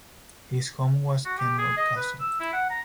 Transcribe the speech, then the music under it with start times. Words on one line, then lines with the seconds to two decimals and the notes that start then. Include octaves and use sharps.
His home was Kenmure Castle.
1.25 F#4
1.38 G4
1.58 G#4
1.77 D#5
1.97 B4
2.20 E6
2.40 E4
2.53 F#5
2.70 A#5